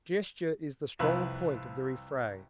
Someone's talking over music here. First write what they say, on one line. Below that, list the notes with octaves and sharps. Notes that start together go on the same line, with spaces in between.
Gesture is the strong point of the refrain.
C2 F2 B4